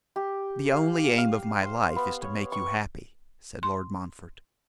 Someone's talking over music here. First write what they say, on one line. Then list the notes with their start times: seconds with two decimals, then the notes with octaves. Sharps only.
'The only aim of my life is to make you happy,' said Lord Montfort.
0.16 G4
0.72 F5
1.18 F5
1.63 C5
1.96 B3
2.22 C#5
2.52 C#6
3.63 C6